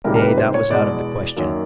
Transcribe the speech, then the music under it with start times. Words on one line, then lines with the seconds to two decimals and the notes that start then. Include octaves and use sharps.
Nay, that was out of the question.
0.04 C#2 C3 D#3 G3 A#3 A#4
0.16 A#4
0.21 B4
0.38 C5
0.54 C#5
0.70 E2 B2 G#3 D5
1.36 F#2 D#3 F#3 A#3